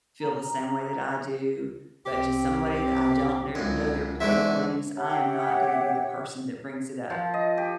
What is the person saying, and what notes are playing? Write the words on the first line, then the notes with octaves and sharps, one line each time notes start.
feel the same way that I do, but to somebody that I don't kne know their political leanings, I am not gonna be the person that brings it up.
A#5
C2 C3 C4 G4
C#2 F#2
E2 G#2 D3 E5
G4 C#5 E5 F#5
F3
D#5
G4